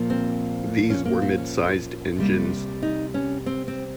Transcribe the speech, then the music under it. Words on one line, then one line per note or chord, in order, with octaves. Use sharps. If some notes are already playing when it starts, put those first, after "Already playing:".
These were mid-sized engines.
Already playing: A#2 F3 A#3
C4
C#4
A#3
C4
C#4
C3 G3 A#3
D#4
C#4
C4
C4